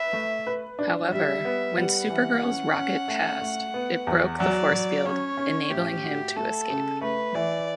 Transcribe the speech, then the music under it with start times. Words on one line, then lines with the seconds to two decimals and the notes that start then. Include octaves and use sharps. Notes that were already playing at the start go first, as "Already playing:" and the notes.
However, when Supergirl's rocket passed, it broke the force field, enabling him to escape.
Already playing: B4 E5
0.13 A3
0.47 B4
0.79 D4
1.12 G3 E5
1.45 B3
1.78 G3 F#5
2.10 E3
2.43 C#4
2.75 C#4
3.08 A3
3.41 A3
3.74 B3
4.07 E2
4.39 F#3 D5
4.72 F#3
5.05 C#4 C#5
5.37 C#4
5.70 A2 G4
6.04 F#4
6.36 A3 A4
6.70 C#3
7.01 A3 B4
7.35 E3 D5